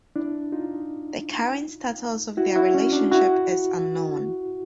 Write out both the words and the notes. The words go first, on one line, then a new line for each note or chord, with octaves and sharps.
The current status of their relationship is unknown.
D4 E4
D#4 F4
E4 F#4
E4 F#4
C#4
D4
E4 F#4